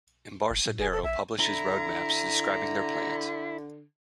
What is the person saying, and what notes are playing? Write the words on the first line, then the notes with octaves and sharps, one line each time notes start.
Embarcadero publishes "roadmaps" describing their plans.
F#1
A2
E1 G#4
A4
A#1 E5
D3 E4 A#5